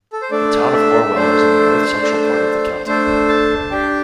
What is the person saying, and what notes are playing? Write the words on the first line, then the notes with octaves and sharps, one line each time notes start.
The Town of Orwell is in the north-central part of the county.
A4
C5
A3 D4 A4 D5
E5
A3 D4 A4 C5
A3 D4 A4
A3 D4 A4 C5
A5
D4 G4 G5